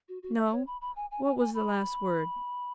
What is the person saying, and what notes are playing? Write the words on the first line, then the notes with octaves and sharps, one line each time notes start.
No? What was the last word?
F#4
F#4
E5
C#5
B5
B5
G#5
G#5
G#5
G#5
B5